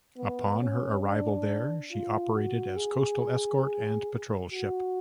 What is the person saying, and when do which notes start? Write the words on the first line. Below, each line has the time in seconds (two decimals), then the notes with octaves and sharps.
Upon her arrival there she operated as coastal escort and patrol ship.
0.17 B3
0.60 C#4
1.03 D4
1.91 F4
2.35 F#4
2.77 G#4
4.51 F#4